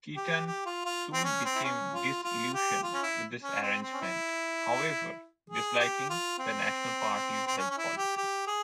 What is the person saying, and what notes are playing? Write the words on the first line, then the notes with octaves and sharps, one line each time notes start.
Kirton soon became disillusioned with this arrangement, however, disliking the National Party's health policies.
G4
G4
F4
F4
C4
C#4
C4
E4
C#4
F4
F4
G4
F4
C#4
E4
C#4
C4
C4
C#4
E4
G#4
G4
F4
C4
C4
C#4
C#4
E4
G4
G4
G#4